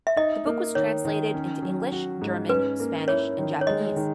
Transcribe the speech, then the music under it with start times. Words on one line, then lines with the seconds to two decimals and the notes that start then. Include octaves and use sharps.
The book was translated into English, German, Spanish and Japanese.
0.07 E5
0.16 D#4 D#5
0.46 A#3
0.75 D#3 C#5
1.05 D#3
1.34 C#4
1.62 F#3
1.92 F#4
2.21 G#2
2.49 C#4 B4
2.80 A#3
3.08 E4 C#5
3.38 D#3
3.61 C#5
3.67 G#3 D#5
3.96 D#3